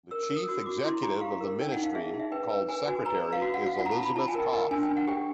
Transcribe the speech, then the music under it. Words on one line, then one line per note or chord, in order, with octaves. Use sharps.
The chief executive of the ministry, called Secretary, is Elizabeth Koff.
A#4 E6
E6
A#4
D#6
F#4 D#6
F#4 D6
E4 C6
G4 A#5
G4 F5
A#4
D#4 G5
D#4 F#5
F5
G#4 E5
D#4
E5
B4 G5
B4
B4 G#5
F#4 G#5
B4 A#5
B4
F5
F#4
F#5
F#4
F5
F4 F#5
A#5
A5
F4
B5
F4 A5
G#5
A#4 G5
A#4 G#5
D4 G#5
G5
D4
F#5
G4 G5